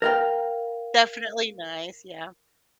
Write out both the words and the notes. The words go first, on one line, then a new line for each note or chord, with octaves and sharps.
Definitely nice, yeah.
A#4 F5 G5